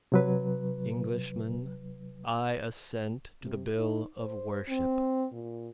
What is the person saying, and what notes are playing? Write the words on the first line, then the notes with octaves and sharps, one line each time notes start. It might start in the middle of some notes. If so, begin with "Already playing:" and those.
"Englishmen, I assent to the Bill of Worship."
C3 F#3 B4
C3
D#4
C5
C4
A#2